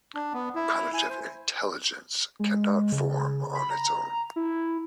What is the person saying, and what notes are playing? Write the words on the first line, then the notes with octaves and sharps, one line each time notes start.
Cognitive Intelligence cannot form on its own.
D4
B3
E4
G#5
C5
G#3
C#3
B5
A#5
E4